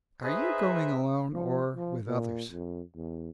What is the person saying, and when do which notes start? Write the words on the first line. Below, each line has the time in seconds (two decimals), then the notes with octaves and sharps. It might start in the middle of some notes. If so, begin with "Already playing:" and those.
"Are you going alone or with others?"
0.24 D#4 G#4 B4 C5 D#5 E5
1.33 F3
1.76 F3
2.07 A#2
2.51 F2
2.96 E2